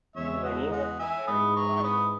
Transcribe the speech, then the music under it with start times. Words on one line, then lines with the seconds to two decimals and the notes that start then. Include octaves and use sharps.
Delaney has been married twice.
0.16 E2 C#3 G#3 C#5 E5
0.44 D#5 F#5
0.71 D#5 F#5
0.99 E5 G#5
1.27 G#2 E3 G#3 B5 D#6
1.56 A#5 C#6
1.76 C#6
1.83 B5 D#6